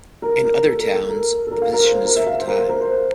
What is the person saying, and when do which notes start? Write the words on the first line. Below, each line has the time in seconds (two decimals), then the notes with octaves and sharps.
In other towns, the position is full-time.
0.22 A#4
0.44 A#4
0.66 A4
0.79 A#4
0.94 A4
1.09 A#4
1.47 A4
1.51 A#4
1.62 F5
1.73 A#4
1.84 C5
1.95 A#4
2.05 A#4
2.16 E5
2.27 F5
2.39 C5
2.48 A#4
2.59 C5
2.69 A#4
2.81 C5